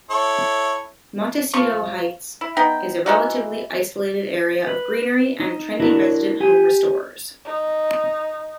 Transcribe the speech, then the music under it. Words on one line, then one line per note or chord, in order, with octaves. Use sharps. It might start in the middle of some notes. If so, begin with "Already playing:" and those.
Montecito Heights is a relatively isolated area of greenery and trendy resident home restorers.
E4 A4 C#5
F3 F4 C#6
E4
B3 D#4 G5
E3 D#4 F#4
B4
D#4
D4 E4 F#4 A#4
G4 G#5
D#4